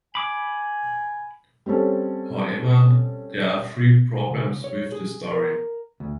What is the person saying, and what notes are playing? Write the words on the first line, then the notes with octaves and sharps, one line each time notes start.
However, there are three problems with the story.
G#5 B5 D6
G3 C4 C#4 A4
C#3
C#5
G#4
A#4
D2